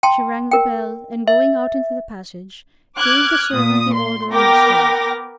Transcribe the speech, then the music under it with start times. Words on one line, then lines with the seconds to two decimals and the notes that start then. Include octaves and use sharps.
She rang the bell, and going out into the passage, gave the servant the order on the stairs.
0.03 G5 A5 C6
0.51 A#4 G5
1.28 E5
2.97 D6 F6 F#6 G#6
3.48 A#2 D#6
3.93 C6
4.30 B3 A#4 G5 D6 A#6